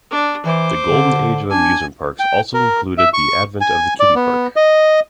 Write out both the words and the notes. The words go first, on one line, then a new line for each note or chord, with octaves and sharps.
The Golden Age of amusement parks also included the advent of the kiddie park.
D4
E3 C5 D6
D3
D4 G#5
G5
A#4
E5
C#6
G#5
D5
B3
D#5